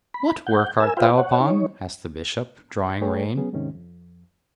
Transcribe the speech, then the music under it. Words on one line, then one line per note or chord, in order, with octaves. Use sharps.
'What work art thou upon?' asked the bishop, drawing rein.
B5
F#5 G6
A#4 G#5 E6
F4 B4 C5 E5 F5 G5
C#5 F#5
D#4 C#5
A3 G#4 A4 B4 C#5 G5
F#3 B3 C#4 G#4
D#2 G#2 C3 D#3 C#4
F2